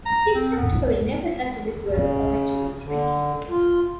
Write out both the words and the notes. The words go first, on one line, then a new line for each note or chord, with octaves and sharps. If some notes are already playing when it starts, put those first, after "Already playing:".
He practically never had to miss work owing to his drinking.
A#5
C4
B3
C#3
D3
F4